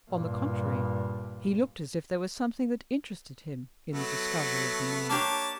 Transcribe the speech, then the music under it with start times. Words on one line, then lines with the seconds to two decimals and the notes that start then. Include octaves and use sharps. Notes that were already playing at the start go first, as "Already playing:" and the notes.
On the contrary, he looked as if there was something that interested him in the discovery of the name.
0.10 G2 A#2
3.91 F#3 A3 B3
5.09 A#3 D4 G4 C#5 A5